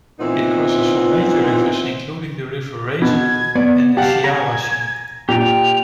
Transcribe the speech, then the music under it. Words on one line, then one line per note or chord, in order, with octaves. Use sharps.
It crosses some major rivers, including the River Raisin and the Shiawassee.
A#2 E3 B3 C4 D#4 E4
B2 G#6
B3 D5
G4 F5 F#5 A5
G#5 A#5 G#6
A#2 G4 G5 F7